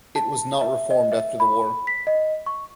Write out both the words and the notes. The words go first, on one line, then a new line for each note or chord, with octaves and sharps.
It was not reformed after the war.
A5
E5
D#5
E5
B5
B6
D#5
C#6